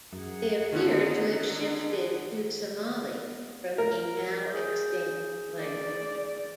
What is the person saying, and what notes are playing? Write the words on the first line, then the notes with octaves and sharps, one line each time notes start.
They appear to have shifted to Somali from a now-extinct language.
F#2 G#4 A#4 F#5
D3 D#3 B3 C#4
A#4
G#4 G6
D5